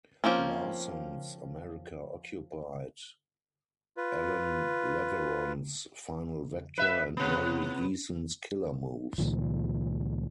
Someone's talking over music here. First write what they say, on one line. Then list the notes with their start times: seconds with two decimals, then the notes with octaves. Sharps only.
Larson's "America Occupied", Allan Leverone's "Final Vector", and Mary Eason's "Killer Moves".
0.24 F3 A#3 C4 C#4
3.97 F4 B4
6.78 B4 E5
7.17 C3 B3
9.18 C#2 A#2 D#3 F3